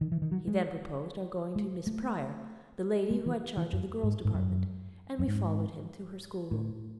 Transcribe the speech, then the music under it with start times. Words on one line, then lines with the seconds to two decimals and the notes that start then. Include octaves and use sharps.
He then proposed our going to Miss Prior, the lady who had charge of the girls' department, and we followed him to her school-room.
0.01 D#3
0.12 E3
0.22 D#3
0.32 F#3
0.48 G#3
1.56 G#3
1.87 A3
3.11 G#3
3.26 E3
3.57 E3
3.73 F#2
4.03 G#2
4.25 G#2
4.35 F#2
5.19 F#2
5.27 G#2
6.51 A2